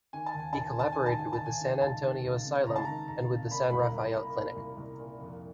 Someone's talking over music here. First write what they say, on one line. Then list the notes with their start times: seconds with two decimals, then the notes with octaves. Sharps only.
He collaborated with the San Antonio Asylum and with the San Rafael Clinic.
0.13 D#3 G#5
0.26 A5
0.34 D#2 G#5
0.53 D#2 A5
0.66 G#5
0.76 D#3 A5
0.92 G#5
0.98 D#3
1.06 A5
1.19 D#2 G#5
1.33 A5
1.40 D#2
1.46 G#5
1.61 D#3
1.75 G#5
1.82 C#2 A5
2.03 D#3
2.24 C#2
2.45 C3
2.66 C#2 A#5
2.76 A5
2.85 D#3 A#5
3.08 C#2 A#5
3.30 C3
3.50 A#2 B5
3.70 C2 B5
3.79 A#5
3.93 C2
4.14 A#2
4.35 A#2
4.56 C2
4.77 C2
4.99 A#2
5.20 F2